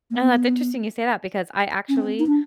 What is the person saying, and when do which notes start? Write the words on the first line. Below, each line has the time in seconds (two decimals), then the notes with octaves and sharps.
And that's interesting you say that because I actually
0.10 A#3
0.16 B3
1.89 C#4
1.96 C4
2.19 D#4
2.26 D4